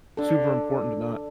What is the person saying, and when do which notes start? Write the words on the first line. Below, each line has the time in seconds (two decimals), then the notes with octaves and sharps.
super important to not
0.17 D4 A4